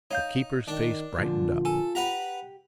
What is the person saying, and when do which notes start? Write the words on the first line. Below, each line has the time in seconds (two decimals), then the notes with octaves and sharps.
The keeper's face brightened up.
0.11 D#4 C#5 F5 G6
0.68 D#3 D4
1.18 A#2 D3 F3 F4
1.65 A4 G#5
1.95 G4 B4 F#5 A#5